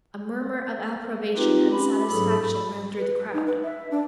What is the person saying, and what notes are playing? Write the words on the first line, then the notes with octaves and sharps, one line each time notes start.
A murmur of approbation and satisfaction ran through the crowd.
C4 D#4 F4 G4 B4
C#4 G4 B5
G#2 F#3 G#4 A4 B5
B4
D#4
B4
E5
D4